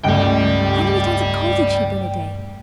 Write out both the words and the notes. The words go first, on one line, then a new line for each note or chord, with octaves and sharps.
How many tons of coal did she burn a day?
C#2 G2 G3 A3 D5 G5